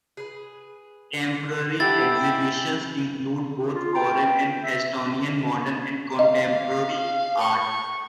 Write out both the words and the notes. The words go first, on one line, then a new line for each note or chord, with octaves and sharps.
Temporary exhibitions include both foreign and Estonian modern and contemporary art.
G#4 B4
D#4 E4 G4 E5 F#5 A5 A6
G5 G#5
F4
G5
E5
D#5 F5
C#6